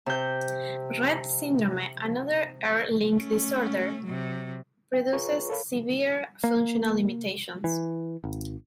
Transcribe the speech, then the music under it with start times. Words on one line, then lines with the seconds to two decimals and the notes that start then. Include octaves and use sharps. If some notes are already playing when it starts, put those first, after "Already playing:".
Rett syndrome, another X-linked disorder, produces severe functional limitations.
0.06 C3 G6
3.10 A3 C#4
4.04 C3 F#3
4.94 G5
5.13 F4 G#4 B4 C#5 A#5 C#6
5.50 A4 A#4 C#5 F5 B5
6.44 A#3
7.64 E3
8.24 G#1